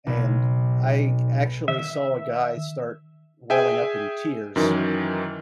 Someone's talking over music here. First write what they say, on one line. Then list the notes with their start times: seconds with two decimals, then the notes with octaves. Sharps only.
and I actually saw a guy start welling up in tears.
0.07 B1
1.68 D#3 E5
3.50 G#4 E5 G5 G#5
4.56 F#2 D#3 E3